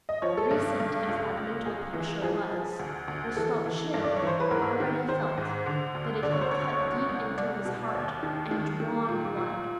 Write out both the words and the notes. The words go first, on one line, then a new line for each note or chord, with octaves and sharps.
Recent as that mental picture was, Rostopchin already felt that it had cut deep into his heart and drawn blood.
D#5
F3 C#5
A4
G2
G2
C#2
C#2
C#2 G#4
E3
F3 G#4
F3
D2
D2
E3 A4
E3
G2
D5
C#5
E3 C5
B4
G#2 A#4
D#3
D#3 C5
G#2
D3
D2
D3 D5
C#5
C5
D2 C#5
C2
C2
C2 D5
B2
D#2
D#3
D#3
D#3
A#2
A#2